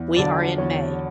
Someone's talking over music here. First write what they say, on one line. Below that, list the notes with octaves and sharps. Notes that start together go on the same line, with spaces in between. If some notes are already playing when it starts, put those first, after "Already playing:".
We are in May.
Already playing: E2
D3 F#3 D5
E2 C#5